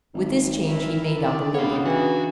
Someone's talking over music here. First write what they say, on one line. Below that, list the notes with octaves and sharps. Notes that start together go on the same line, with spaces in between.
With this change, he made up a louis.
G#1
E3 E4 A#4
D#3 D5
C#3 B3 D4 D#4 C#5 G5
E3 F#4